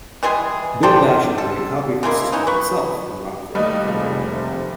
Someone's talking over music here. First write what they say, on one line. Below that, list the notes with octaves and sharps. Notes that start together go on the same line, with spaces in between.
Bill Basham ran a copy of the system himself in Rockford at the time.
E3 G3 G#3 G#4
A4 C5 D5 G5
A4
C#3 G#3 A#3 E4
E3 C#4 D#4
B4 C#6
D#2 G3 A3 B4 D#5
F1 F3 G#4
C3